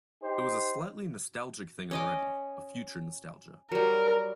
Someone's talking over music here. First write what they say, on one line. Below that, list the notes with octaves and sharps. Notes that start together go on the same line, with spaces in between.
It was a slightly nostalgic thing already, a future nostalgia.
D#4 G4 C5
C#4 D#5 D6
F#3 G3 A#4